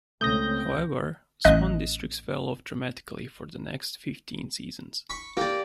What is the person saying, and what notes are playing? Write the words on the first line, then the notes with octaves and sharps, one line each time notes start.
However, Swan Districts fell off dramatically for the next fifteen seasons.
C#2 C#3 A3 C4 D#6 G6 A#6
A1 D#5 F#6
B5 C#6
A#3 G4 D5